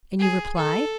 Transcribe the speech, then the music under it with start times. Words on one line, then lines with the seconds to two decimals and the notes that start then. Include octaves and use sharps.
"And you reply?"
0.19 G#4
0.57 A4